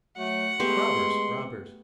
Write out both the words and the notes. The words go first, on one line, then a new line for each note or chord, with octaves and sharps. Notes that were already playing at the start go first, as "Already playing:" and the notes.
Robbers! robbers!'
F#3 A3 F#5
G#3 A3 B3 G4 C6